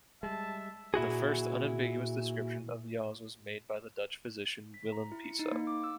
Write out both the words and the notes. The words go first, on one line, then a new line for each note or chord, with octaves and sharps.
The first unambiguous description of yaws was made by the Dutch physician Willem Piso.
G3 G#3 E5 A5
A#2 E4 F#4 G#4
B6
A#5
E4
C#7
D#4
A#3
D6
E6